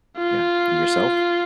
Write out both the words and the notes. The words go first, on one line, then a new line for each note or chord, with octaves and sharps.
Yeah, and yourself?
F4